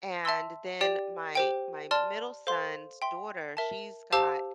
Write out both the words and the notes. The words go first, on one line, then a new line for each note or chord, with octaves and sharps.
And then my my middle son's daughter, she's got
E5 A5 C6 E6
G4 D5 G5
G4 C5 G5
D5 A5 C6 F6
A4 C5 F5 C6
E5 G5 C6
A#4 E5 A5
G4 C5 F5 A5 E6